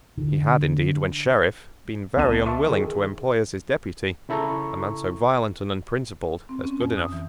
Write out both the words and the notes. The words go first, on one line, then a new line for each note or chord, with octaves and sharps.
He had, indeed, when Sheriff, been very unwilling to employ as his deputy a man so violent and unprincipled as Goodenough.
D3
C#2 B3 D5 A5 D#7
E5 A5 C6 C#6
D#3 G#4
C#3 E4 A4 A#5 C#6
C4
C#4
F2
D#6
E3